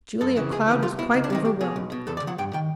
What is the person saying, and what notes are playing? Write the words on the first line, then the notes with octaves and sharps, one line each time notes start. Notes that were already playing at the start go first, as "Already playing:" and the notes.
Julia Cloud was quite overwhelmed.
F#2 A4
C#3 E3
C#2 G#4
C#3 E3
C2 F4
B2 E4
C#2 D#4
D4
C3 D#3 D#4
C2 G4
B2 G#4
B1
B2
E2 A4
D5
C#3
F3 F#5
G2 G5
D#3 G5